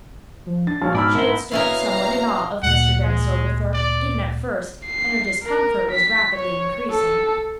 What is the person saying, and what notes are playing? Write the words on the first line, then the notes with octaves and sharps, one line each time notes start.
She had stood somewhat in awe of Mr. Denis Oglethorpe, even at first, and her discomfort was rapidly increasing.
F3
D4 A6
A#1 F#4 C#5 F5 A5
G#2 B2 D#4 D5 G#5 B5 E6 F6
G#2 G#3 E4 A#4 B5 G7
B2 C#4 E4 F5 A#5
D2 A#2 F#5
G#3
D5
C7
A#4
B6
C#5
A4